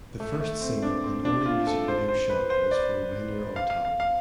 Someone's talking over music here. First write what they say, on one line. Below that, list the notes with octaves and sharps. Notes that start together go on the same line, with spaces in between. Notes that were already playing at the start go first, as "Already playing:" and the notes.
The first single and only music video shot was for When You're On Top.
A3
A3
C4
D4
C4
D4
F4
A4
C5
C5
B4
C5
D5
F5
F5
F5
F5